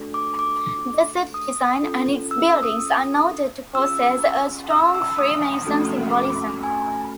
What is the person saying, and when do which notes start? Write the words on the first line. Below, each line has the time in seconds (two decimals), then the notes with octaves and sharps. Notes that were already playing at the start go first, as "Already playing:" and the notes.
The city design and its buildings are noted to possess a strong Freemason symbolism.
Already playing: A3 D4 F#4 A4
0.14 D6
0.39 D6
1.34 D#6
1.83 C#4 F4 A4
2.31 E6
2.47 E6
2.63 D#6
3.75 C#4 F4 G#4 E6
4.71 E6
4.95 E6
5.19 D#6
5.67 A3 C#4 F#4 A4
6.15 D6
6.64 G#5